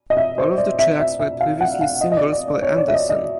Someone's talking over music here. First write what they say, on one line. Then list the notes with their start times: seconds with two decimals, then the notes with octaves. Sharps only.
All of the tracks were previously singles for Anderson.
0.10 D#5
0.17 E5
0.38 C5
0.58 D5
0.79 E5
1.00 E5
1.19 E5
1.41 F5
1.61 F#5
1.81 F5
2.01 D#5
2.12 D#5
2.17 D5
2.33 D5
2.48 D5
2.62 C#5
2.78 D5
2.88 E5
2.94 D#5
3.10 D#5